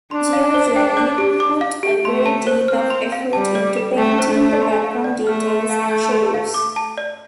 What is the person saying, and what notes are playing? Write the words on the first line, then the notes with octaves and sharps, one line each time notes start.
Giorgione put a great deal of effort into painting the background details and shadows.
D4 C6
F5
C5
G5
D5
G4
D6
F5
G4
A3 C6
A5
C5
C4 F6
C6
F5
G3 A5
D5
A4
A3 G5
C5
A3
A4
C6
F5
D5
A3 F6
C6
F5
G6
C6
F5
D6
A5
D5